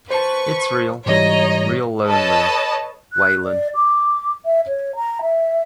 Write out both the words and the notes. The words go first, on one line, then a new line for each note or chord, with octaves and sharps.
It's real, real lonely, Waylon.
B4 C5 A5 C#6
G#2 E3 G3 C#5 D#5 A#5
A4 B4 C#5 D#5 A5
F#6
D5
D6
E5
C#5
A#5
E5